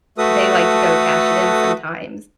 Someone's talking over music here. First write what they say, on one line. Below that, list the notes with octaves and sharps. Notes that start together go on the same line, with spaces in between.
they like to go cash it in sometimes,
A3 F#4 A4 B4 D#6